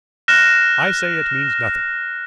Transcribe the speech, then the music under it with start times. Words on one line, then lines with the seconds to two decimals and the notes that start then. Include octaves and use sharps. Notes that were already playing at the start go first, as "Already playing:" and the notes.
'I say it means nothing.
0.28 F6 F#6 A#6 E7